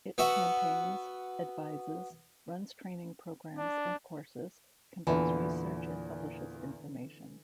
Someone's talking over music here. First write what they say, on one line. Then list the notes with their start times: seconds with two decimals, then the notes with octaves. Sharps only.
It campaigns, advises, runs training programmes and courses, conducts research and publishes information.
0.18 B3 F#4 E5
3.58 D4
5.07 E2 A#2 D3 E3